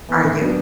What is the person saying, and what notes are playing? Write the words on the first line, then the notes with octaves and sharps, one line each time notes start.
Are you?
E3 B3
A2
F#3 B3 D4